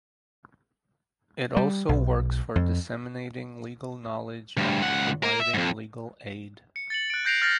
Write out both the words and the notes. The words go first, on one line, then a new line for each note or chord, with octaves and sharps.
It also works for disseminating legal knowledge and providing legal aid.
G3
B1
F2
D2 G2
C#2 F#5
A#3 A#4
E5
F2 G#2
C#7
A6 C#7 F#7
F#6 D7
F#6 G6 A#6 C7 D7 F7
F6 G6 A6 A#6